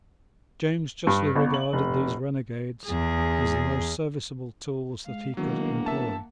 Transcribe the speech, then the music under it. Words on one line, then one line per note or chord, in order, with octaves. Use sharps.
James justly regarded these renegades as the most serviceable tools that he could employ.
G2
G1
F#7
F1
E2 G#4
G#3 F5
E1 D#3 F#3 A#3 F#5
A#4 E5 A5